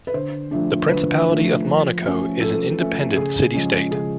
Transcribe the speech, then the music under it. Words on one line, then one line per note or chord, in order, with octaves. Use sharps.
The Principality of Monaco is an independent city-state.
B4
D3 C5
F3 A3 D4
D3 B4
F3 A3 D4
F3
A3 C#4
F3 A4
A3 C#4
C#3 G#4
F3 G#3 C#4
C#3 G#4